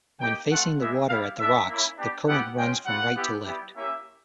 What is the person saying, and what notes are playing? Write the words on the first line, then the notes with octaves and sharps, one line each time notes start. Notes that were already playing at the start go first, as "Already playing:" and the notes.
When facing the water at the rocks the current runs from right to left.
A#3 D#4 G4 G5
A3 C4 F4 F#5
G#3 B3 E4 G4 E5
G3 B3 E4 G4 F5
G#3 B3 D4 E5
A#3 C#4 E4
B3 D4 G4
B3 E4 G4 F#5
G#3 C#4 F4 G5
G3 C4 F4 F#5
B3 E4 G4
G3 B3 E4 G4
A#3 C#4 E4 G4 E5